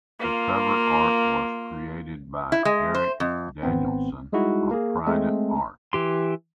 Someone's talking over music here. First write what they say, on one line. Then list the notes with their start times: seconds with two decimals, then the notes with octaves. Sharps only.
The cover art was created by Erik Danielsson of Trident Art.
0.19 A#3 F4
2.52 E4
2.65 G#3
2.94 C5
3.20 F2
3.63 G#1 B3 C4
4.32 G3 G#3 D#4 E4 F#4
4.71 A#3 G#4
5.07 G#3 A3 C4
5.93 E3 G4 C6